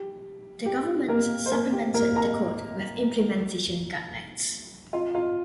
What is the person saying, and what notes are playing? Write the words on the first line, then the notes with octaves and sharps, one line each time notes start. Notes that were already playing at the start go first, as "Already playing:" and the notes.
The government supplemented the Code with Implementation Guidelines.
Already playing: G4
G4
A#3 A#4
C5
A#3 A#4
G4
A#3 A#4
A#4 A#5
F4 F5
F4 F5